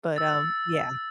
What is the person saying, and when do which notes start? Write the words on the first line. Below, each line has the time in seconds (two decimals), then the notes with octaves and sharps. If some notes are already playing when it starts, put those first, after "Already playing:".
But, um, yeah.
0.16 E6 A6